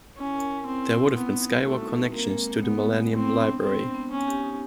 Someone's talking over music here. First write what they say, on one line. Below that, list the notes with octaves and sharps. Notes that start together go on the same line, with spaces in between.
There would have been skywalk connections to the Millennium Library.
C#4 E4
A#4
A#4
C4 E4
E4
E4
B3 C4
D#4
G3
A3 F#4
D#4
C4
A#3 C4
G#3
G#3
G#3 B3
G#3
G#3
B3 C4
D4
B3
B3 C4
C5
B3
C#4 D#4
G4
D#4